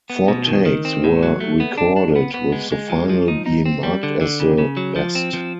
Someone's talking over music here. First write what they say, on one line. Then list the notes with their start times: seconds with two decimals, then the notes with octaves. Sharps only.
Four takes were recorded with the final being marked as the best.
0.10 B3
0.28 B2
0.47 D#3
0.66 D#3
0.85 C4
1.04 A2
1.23 F#3
1.40 A3
1.60 B3
1.78 D4
1.96 D4
2.16 B3
2.34 B3
2.52 G#3
2.72 G#3
2.90 F3
3.09 F3
3.28 D#4
3.46 D#4
3.66 C4
3.83 G3
4.03 D3
4.21 D3
4.40 C#3
4.58 C#3
4.77 F#3
4.96 F3
5.15 C4
5.33 F3